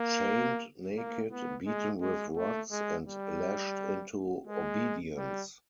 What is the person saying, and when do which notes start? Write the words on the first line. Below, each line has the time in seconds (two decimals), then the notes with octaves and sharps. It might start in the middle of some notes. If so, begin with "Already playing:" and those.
Chained, naked, beaten with rods, and lashed into obedience.
Already playing: A#3
0.97 A#3
1.31 B3
1.66 G#3
2.01 G#3
2.37 A3
2.71 G#3
3.07 G3
4.47 G#3
5.17 G3